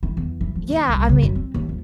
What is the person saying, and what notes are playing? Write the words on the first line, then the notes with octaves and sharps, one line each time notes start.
Yeah, I mean
E3
E2
E3
F3
D#2
C2
C#3
F#2
C4
D#2
F3